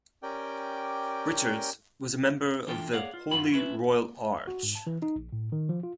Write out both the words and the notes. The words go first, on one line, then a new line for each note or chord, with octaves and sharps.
Richards was a member of the Holy Royal Arch.
C#4 G4 A#4 D5 G5
E3 D4 F4 A4 G5
G#4 C#5 D5 F5 F#5
F4
F#2 F4 F#4 B5
C#4 E4 B4
F#4
G#2
A5
E3
D#4
A#1
A2
D#3
F3
F4